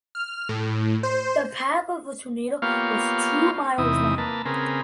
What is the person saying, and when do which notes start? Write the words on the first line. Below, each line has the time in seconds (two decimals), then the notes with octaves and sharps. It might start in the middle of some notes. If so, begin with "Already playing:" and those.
The path of the tornado was two miles long.
0.15 F6
0.49 A2
1.03 C5
2.62 A#3 B3 F4 G4 C#5 F5
3.78 E2 C3 D#4 E4 D#6
4.18 A#3 B4 A5
4.45 C#3 C4 G#4 A#4 B4